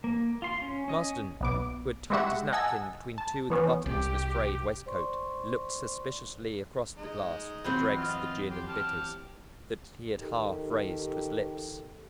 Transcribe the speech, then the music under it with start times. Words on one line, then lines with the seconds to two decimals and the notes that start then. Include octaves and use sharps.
Marsden, who had tucked his napkin between two of the buttons of his frayed waistcoat, looked suspiciously across the glass with the dregs of the gin and bitters that he had half raised to his lips.
0.04 A#3
0.42 F4 C6
0.62 C#4
0.88 C#4 D#5
1.41 B1 B3 D6
2.10 G#3 E4 F#4 G4 E5 F#5
2.53 D#5 F#5 G#5 A5 E6
3.18 A5
3.50 E3 B3 C#4
3.86 C2 G4
4.86 C5 D5 C6 C#6
6.98 G#3 D#4
7.64 E3 F#3 C4
7.97 F4 D#5 F6
8.51 G4 C6
8.68 G4 A5 F6
10.19 D#3 G4 A4 A#4